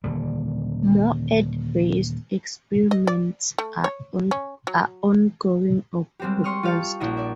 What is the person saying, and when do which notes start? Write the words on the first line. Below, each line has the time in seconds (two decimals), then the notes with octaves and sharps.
More Earth-based experiments are ongoing or proposed.
0.04 D#1 D3 G3
2.91 D#5
3.07 D5
3.58 A3
3.84 C#5
4.31 C#4
4.67 F#3
6.19 G3 G#3 C4 F#4 G4
6.44 C6 C#6 D#6 F6
6.63 F4 G4 F5 A5 C#6
7.00 A#1 E4 F#4 D#5 E5
7.17 D5 E5